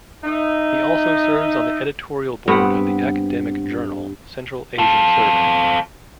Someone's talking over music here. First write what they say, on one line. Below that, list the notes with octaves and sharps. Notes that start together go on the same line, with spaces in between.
He also serves on the editorial board of the academic journal Central Asian Survey.
D#4 E5
G2 B3 C4 F#5
F4 A4